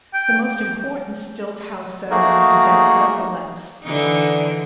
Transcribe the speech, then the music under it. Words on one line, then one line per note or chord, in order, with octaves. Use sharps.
The most important stilt house settlement is at Corcelettes.
G5
A3 A#3 D#4 F#4 G#4 A#4
D3 E3 D#4